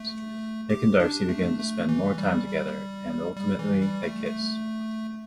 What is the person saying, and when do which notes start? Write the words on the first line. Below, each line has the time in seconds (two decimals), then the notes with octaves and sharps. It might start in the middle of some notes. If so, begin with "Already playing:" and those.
Nick and Darcy begin to spend more time together, and ultimately they kiss.
Already playing: A3
0.70 G4
1.00 D4
1.29 A3
1.59 A3
1.89 E3
2.18 G3
2.48 G3
3.36 G3
3.59 E3
3.81 G3
4.03 A3
4.26 A3